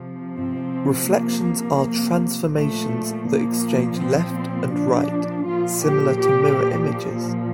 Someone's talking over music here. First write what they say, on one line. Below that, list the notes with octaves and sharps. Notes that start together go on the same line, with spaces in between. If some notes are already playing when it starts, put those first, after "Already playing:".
Reflections are transformations that exchange left and right, similar to mirror images.
Already playing: C3 F3
C4
A#3
A#2 F3 A3
A#3
C4
D4
A#2 F3 F4
G4
G4